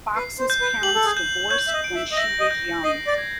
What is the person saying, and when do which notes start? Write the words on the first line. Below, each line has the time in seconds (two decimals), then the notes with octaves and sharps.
Fox's parents divorced when she was young.
0.16 B4 C7
0.39 C5
0.50 G6
0.61 B4
0.83 G4 F#7
0.95 A4
1.05 G#4
1.17 G6
1.51 C#5 G6
1.68 E5
1.73 D#5
1.84 D7
1.95 E5
2.12 D#5
2.17 E5 A#6
2.40 D#5
2.51 G6
2.84 D#5 C7
3.07 D5
3.18 G#6